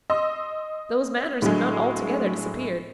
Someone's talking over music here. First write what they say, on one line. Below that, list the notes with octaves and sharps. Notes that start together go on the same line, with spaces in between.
Those manners have not altogether disappeared.
D#5 C6 E6
A2 D3 F#3 G#3